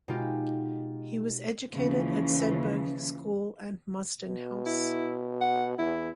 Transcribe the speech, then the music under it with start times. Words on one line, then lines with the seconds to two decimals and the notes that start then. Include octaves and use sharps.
He was educated at Sedbergh School and Mostyn House.
0.08 B2 G#3 D#4 F4 G4
1.73 D#2 C#3 E3 F3
4.27 B2
4.66 E4
5.41 F#5
5.79 E2 E4